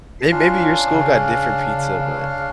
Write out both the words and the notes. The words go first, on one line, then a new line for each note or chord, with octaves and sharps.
And maybe your school got different pizza, but
C#4 D4 F4 F5
C#3